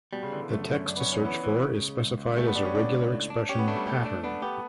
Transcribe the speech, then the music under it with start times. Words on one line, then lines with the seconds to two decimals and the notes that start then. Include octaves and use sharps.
The text to search for is specified as a regular expression "pattern".
0.13 B2 G3
0.23 C#3
0.32 D3 E3
0.41 C#3
0.50 F#2 A3
0.69 F#2 C#4
0.87 F#2 D4
0.96 B3
1.00 C#4
1.06 F#2
1.13 C#4
1.25 E3 B3
1.44 E3
1.62 C#3
1.81 C#2
2.00 C#2
2.18 C#2
2.37 G3 A3
2.47 B3
2.55 G3 D4
2.65 C#4
2.74 C#2 D4
2.93 C#2
3.12 A2
3.30 D4
3.49 C#4 G4
3.58 B3
3.68 A3 D4
3.76 G3
3.87 A3 G4
4.05 D4
4.24 B3 D4
4.42 B3 G4